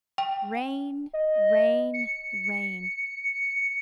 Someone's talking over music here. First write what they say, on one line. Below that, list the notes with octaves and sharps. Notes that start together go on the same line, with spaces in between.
Rain, rain, rain!
G5
D#5
C#7